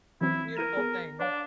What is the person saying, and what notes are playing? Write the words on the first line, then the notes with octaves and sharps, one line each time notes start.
beautiful thing.
E3 F#3 C4 E4
E4 A#4 D#7
B3 G#4
D4 B4 C#5 F5